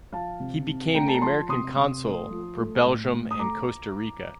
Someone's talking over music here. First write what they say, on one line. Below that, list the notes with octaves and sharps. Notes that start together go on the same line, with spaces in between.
He became the American Consul for Belgium and Costa Rica.
F3 F5 A5
C3
C3
A3 G5 A#5
A5
A#5
F3 A5 C6
C3 C6 D#6
C3
A3
F3
A3
A2
A2
D#6
A3 A#5 D6